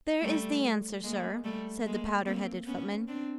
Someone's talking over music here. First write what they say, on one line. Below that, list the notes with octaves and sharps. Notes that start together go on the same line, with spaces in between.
'There is the answer, sir,' said the powdered-headed footman.
G3 A3
G#3 A#3
G3 A3
G#3 A#3
A#3 C4
B3 C#4
C4 D4